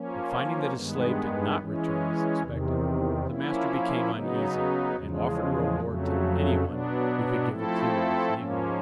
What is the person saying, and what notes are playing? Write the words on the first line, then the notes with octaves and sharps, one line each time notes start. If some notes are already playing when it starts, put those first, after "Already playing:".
But finding that his slave did not return as expected, the master became uneasy, and offered a reward to any one who could give a clue of his negro.
Already playing: F3 A#3 C#4
G2 D#3 G#3 B3
E3 G#3 C#4
E2 C3 D#3
F3 A#3 C#4 E4
C#3 F#3 B3 D#4
E2 C#3 F3 G#3
F2 C#3 F#3 A3
B2 F#3 B3 D4
F3 A3 C4 E4 A4
G#2 F3 A#3 C#4